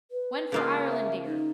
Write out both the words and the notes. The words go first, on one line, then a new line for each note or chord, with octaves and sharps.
When for Irelandear.
B4
C#3 A#3 F4
E5
D#4